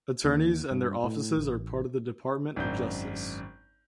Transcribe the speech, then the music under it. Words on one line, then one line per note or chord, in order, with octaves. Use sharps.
Attorneys and their offices are part of the Department of Justice.
D#2
G2
A2
A1
G#1 F#2 D4 G6